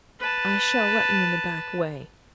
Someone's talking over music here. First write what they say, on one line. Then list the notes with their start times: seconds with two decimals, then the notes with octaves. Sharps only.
I shall let you in the back way.
0.20 B4 A5